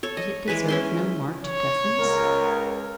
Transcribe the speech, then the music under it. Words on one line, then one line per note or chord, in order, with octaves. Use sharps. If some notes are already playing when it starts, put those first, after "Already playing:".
Did it deserve no marked deference?
A4 C#5
D#5
E3 G#3 G#4 B4
C#4 E4 C6
C#5
C#2 A#4